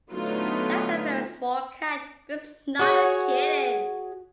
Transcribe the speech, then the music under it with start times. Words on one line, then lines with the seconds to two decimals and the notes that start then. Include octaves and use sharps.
That's a very small cat, but it's not a kitten.
0.13 D3 F#3 A3 B3 D#4 F4
2.79 F#4 G#4 C#5